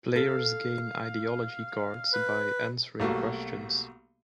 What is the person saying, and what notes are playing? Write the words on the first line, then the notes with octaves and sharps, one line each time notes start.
Players gain Ideology Cards by answering questions.
A4 F5
B4
B1 G3 A3 A#3 F#4